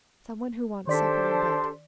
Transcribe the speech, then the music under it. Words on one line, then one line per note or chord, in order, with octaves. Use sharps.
"Some one who wants supper and bed."
D#3 D4 G4 A4 C5 D5 B6